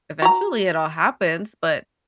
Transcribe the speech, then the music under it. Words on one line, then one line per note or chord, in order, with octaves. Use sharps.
eventually, it all happens, but
F#4 A#5